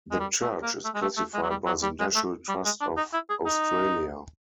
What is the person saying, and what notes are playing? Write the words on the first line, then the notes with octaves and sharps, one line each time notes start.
The church is classified by the National Trust of Australia.
G#3
G3
A3
A#3
A3
G#3
A3
A3
G#3
F#3
G3
F#3
G3
G#3
A3
G3
G#3
D4
D#4
E4
G#4
D#4